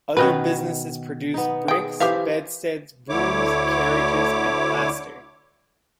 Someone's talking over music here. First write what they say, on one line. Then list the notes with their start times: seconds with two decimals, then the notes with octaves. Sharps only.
Other businesses produced bricks, bedsteads, brooms, carriages and plaster.
0.17 B2 D#3 C#4 D#4 B4
1.34 B3 D#4
1.68 G#4 G5
2.00 E3 G4 C5 E5 F5
3.09 D2 D3 E4 C#5 D6